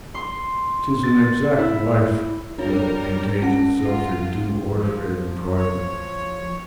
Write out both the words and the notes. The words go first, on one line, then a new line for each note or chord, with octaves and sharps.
'Tis an exact life that maintains itself in due order in private.
C6
A6
E4
G3 D4 A#4 C#5
C#4 F#5 A#6
F4
F3
C#5